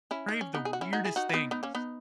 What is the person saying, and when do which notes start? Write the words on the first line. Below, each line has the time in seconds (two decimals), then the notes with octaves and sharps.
crave the weirdest things,
0.11 C#4 E4
0.28 D#4
0.41 C#4
0.54 B3 D#4
0.65 G#4
0.73 F#4
0.81 C#4 E4
0.93 D#4 F#4
1.05 E4 G#4
1.16 D#4 F#4
1.29 E4
1.34 B3 D#4
1.51 B3 D#4
1.63 A#3 C#4
1.75 B3 D#4